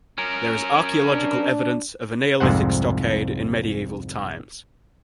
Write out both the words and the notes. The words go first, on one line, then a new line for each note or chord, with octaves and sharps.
There is archaeological evidence of a Neolithic stockade in medieval times.
C#4 A#4
D4
C2 F2 G#2 C5 F#5